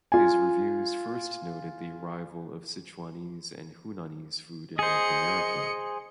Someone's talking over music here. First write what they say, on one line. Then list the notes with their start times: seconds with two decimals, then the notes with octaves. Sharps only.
His reviews first noted the arrival of Sichuanese and Hunanese food in North America.
0.12 F4 G#5
4.79 G#4 C5 D#5 C#7